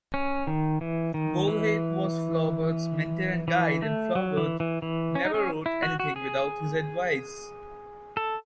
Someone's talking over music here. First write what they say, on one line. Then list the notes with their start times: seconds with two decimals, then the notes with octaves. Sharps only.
Bouilhet was Flaubert's mentor and guide, and Flaubert never wrote anything without his advice.
0.14 C#4
0.47 D#3
0.81 E3
1.14 D#3
1.48 E3
3.48 E3
3.82 A3
4.15 F#3
4.37 E3
4.60 E3
4.82 E3
5.15 C#4
5.25 D#4
5.34 C#4
5.66 E4
5.83 F#4
6.00 F#4
6.16 G#4
8.17 A4